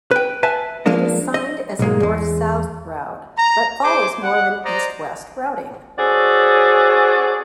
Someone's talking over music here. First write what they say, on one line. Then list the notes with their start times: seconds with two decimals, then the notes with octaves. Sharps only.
It is signed as a north-south route, but follows more of an east-west routing.
0.11 B4 G5
0.43 B4 E5 G#5 A5
0.86 F3 G#3 A#3 D4 D#5
1.34 D#5
1.79 B1 G#2 G#3 A#3
2.00 E2 G#3
3.38 A#5
3.84 G#4 C5 D6
4.23 F#5
4.65 C5 D5 D#5 A#5
5.99 C#4 F#4 G#4 A4 C5 D5